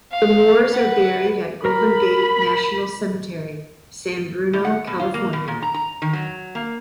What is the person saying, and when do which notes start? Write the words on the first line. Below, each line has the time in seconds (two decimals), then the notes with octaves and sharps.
The Moores are buried at Golden Gate National Cemetery, San Bruno, California.
0.11 F5
0.71 B4 F#5
1.65 A#4 A#5 B5
4.53 A2
4.65 F#5
4.87 B2
5.00 F4
5.14 A#3
5.33 B2
5.48 A#2
5.62 A#5
5.74 A#5
6.02 D#3
6.13 F#3
6.55 A#3